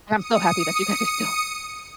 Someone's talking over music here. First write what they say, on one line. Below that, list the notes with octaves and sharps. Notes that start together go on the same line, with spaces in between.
and I'm so happy that you guys are still
D#6 C#7